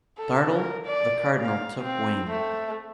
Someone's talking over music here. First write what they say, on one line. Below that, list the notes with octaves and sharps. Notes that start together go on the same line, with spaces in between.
Startled, the Cardinal took wing.
A4
A#4
D5
F5
C4
A3